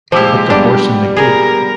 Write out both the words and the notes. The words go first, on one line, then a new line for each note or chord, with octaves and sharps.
Put the horse in the gig!
A#2 F3 G#3 E4 G4 C5 D6 E6
G3 B3 D4
G#4 A#4